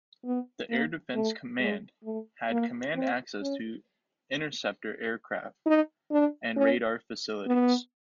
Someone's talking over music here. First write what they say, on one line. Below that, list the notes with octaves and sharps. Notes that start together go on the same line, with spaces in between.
The Air Defence Command had command access to interceptor aircraft and radar facilities.
B3
A#3
A3
G#3
A3
A#3
C4
C#4
D#4
D4
C#4
B3